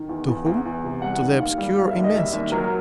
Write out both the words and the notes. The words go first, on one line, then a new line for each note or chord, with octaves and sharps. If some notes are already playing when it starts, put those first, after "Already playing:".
To whom? To the obscure immensity.
Already playing: D#3
E2
E2
E2
E2
C3
G3 F#5
D#3
D#2 F5
G3
G3 F5
E5
D#2
D#5
G3 E5
D#2
F#3 A#4